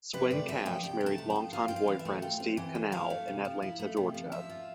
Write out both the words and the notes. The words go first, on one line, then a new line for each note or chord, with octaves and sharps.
Swin Cash married longtime boyfriend Steve Canal in Atlanta, Georgia.
C3 B4
A3 D5
C3 E5
F3 G5
C3 G5
A3
A5
C3
G5
F3
F4 F5
C4 G5
F5
E3
E5
A3
F4 G5
C4
E3
A3
E4 F5
A3
C3
F3
E4
A3
C3
F3
F3 E5
F4